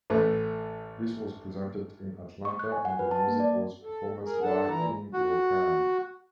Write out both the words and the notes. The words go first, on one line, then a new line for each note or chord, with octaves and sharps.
This was presented in Atlanta and the music was performance by King Rokan.
A1 A3 B4
C#6
F#6
G#5
F#5
B4
A5
A#3
D5
A4
G#4 A#4
D4 A4 F#5 A5
A#2 E3 E4 A#5
F#4